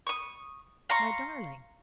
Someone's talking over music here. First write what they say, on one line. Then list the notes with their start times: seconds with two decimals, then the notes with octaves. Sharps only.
"My darling!"
0.07 C#6 D#6
0.90 F5 A#5 C6 C#6